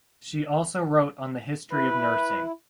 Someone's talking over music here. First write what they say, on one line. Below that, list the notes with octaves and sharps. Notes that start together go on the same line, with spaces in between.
She also wrote on the history of nursing.
E4 B4